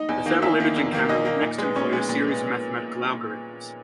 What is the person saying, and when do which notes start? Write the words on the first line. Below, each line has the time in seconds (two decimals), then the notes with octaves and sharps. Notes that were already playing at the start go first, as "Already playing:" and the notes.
The thermal imaging camera would next employ a series of mathematical algorithms.
Already playing: D#4 D#5
0.09 E2
0.26 D#3 A#3
0.42 E2 E4 E5
0.60 D#3 A#3
0.76 E2
0.92 D#3 A#3
1.09 E2 D#4 D#5
1.25 D#3 A#3
1.42 A#2
1.58 G#3 B3
1.75 A#2 C#4 C#5
1.92 G#3 B3
2.09 A#2
2.25 G#3 B3